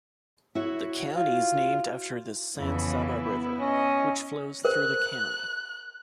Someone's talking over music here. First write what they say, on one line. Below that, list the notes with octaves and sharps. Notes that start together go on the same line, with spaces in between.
The county is named after the San Saba River, which flows through the county.
E4 F#4 C#5
F4
F2 C#3 E3 B3 E4
C#4 D#5
A#4 C5 F#6